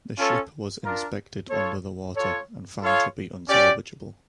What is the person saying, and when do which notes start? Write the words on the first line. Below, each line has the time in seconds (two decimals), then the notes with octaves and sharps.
The ship was inspected under the water and found to be unsalvageable.
0.17 C#4 F4 A4 C#5
0.84 D4 F4 A#4
1.50 F4 A4 C#5
2.16 F4 A4 C#5
2.81 F4 A4 C#5 F5
3.47 C#4 G4 D5